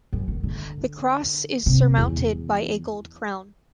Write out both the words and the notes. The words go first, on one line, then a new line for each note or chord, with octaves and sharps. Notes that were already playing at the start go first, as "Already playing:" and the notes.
The cross is surmounted by a gold crown.
F#2
D3
D3
C3
E2